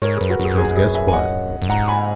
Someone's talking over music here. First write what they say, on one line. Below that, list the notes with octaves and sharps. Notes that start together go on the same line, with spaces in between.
Because guess what?
G#2 A#4 C#5
F#2 G#4 B4
F#4 A#4
F#2
G#4
G#4
G#4 B4
E5 G#5
G#5
D#5 F#5
F#2
G#2 F#5 A#5
G#5 B5